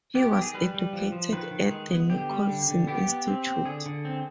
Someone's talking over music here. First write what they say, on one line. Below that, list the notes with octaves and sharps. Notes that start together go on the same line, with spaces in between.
He was educated at the Nicolson Institute.
B3 G4
D#3 G4
G#4
G3 B4
G3
F3
F3
D#3 B4
D#3
G#3
B3
D3 G4
G3
D3
D3
B3 G4
B3
C4
C4
D3 G#4
D3
C4